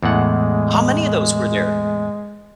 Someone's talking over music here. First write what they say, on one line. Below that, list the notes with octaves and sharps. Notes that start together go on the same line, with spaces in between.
How many of those were there?
E2 A2 G#3 F#5